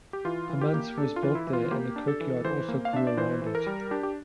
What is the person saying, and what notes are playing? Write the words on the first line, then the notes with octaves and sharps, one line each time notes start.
A Manse was built there and the kirkyard also grew around it.
G4
E3 F4
E3
G4
A#3
D4 A4
F4
E3
E4
E3
F4
A#3 G4
D4
A4
E3
E3 C5
A#3
F5
D4 E5
D5
E3 C5
E3 A4
A#4
G3
D4 G4
G4